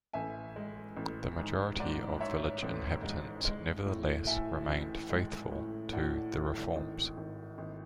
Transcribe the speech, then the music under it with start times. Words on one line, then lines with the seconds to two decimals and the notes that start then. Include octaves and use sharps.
The majority of village inhabitants, nevertheless, remained faithful to the Reforms.
0.13 A1 E5 G#5
0.56 G#3
0.97 A1
1.39 G#2
1.80 G#2 D5 F#5
2.20 G#2 C#5 E5
2.62 A1
3.03 G#3
3.45 G#3
3.86 A2
4.27 A2 E5 G#5
4.69 A1
5.10 G#3
5.51 A2
5.93 A2 D5 F#5
6.34 A2
6.76 G#1
7.17 G#1
7.58 G#1